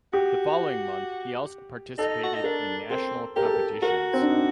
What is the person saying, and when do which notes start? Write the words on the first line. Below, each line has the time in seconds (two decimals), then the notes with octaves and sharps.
The following month he also participated in national competitions.
0.13 F#4 G4
1.98 D#4 A4
2.23 F#4
2.34 D#4
2.44 D4 A#4
2.91 C4 A#4
3.36 G4 A#4
3.45 A4
3.54 A#4
3.82 F#4 A#4
4.13 C4
4.22 D4
4.29 D#4